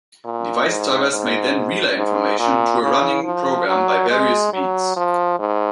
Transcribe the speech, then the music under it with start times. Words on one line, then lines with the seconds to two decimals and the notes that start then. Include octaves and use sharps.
Device drivers may then relay information to a running program by various means.
0.25 A#2
0.68 G#2
1.11 G#2
1.96 G#2
2.39 A#2
2.82 C#3
3.24 F3
3.68 F#3
4.10 G#3
4.53 F#3
4.96 F3
5.39 G#2